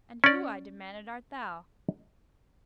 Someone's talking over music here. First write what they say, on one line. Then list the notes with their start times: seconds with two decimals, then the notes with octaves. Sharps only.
"And who," I demanded, "art thou?"
0.24 C#4 D5